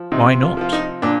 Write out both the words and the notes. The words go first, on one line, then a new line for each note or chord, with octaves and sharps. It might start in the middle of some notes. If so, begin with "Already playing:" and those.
"Why not?"
Already playing: F3
C3 D#4
F4
F3 F4
D#4
A#2 D4